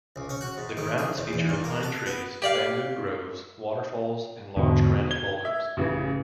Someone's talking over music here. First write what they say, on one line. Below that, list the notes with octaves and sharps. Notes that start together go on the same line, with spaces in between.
The grounds feature pine trees, bamboo groves, waterfalls and large granite boulders.
C#2
C#4
F#4
G#2
D#3
G#4
E2
E2
G2
A#3
A4
B3
G4 D5 F5
E2 G#2 B2 D3
G#6 G7
E5
A1 C#3 E3